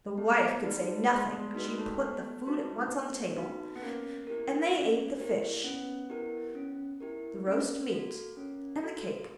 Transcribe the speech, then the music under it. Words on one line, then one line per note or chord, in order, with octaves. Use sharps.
The wife could say nothing, but she put the food at once on the table, and they ate the fish, the roast meat, and the cakes.
A3 B3
G3 D#4 F#4 B4
G#3 B3
G#3
G#3 D#4 F#4 B4
G#3
A3
B3
D#4 F#4 B4
B3
D#4 F#4 B4
B3
A#3 C#4
E4 G4 A#4
C#4
E4 G4 A#4
B3 C#4
E4 G4 A#4
C#4
E4 G4 A#4
A#3 C#4
F#4 A4
C#4
F#4 A4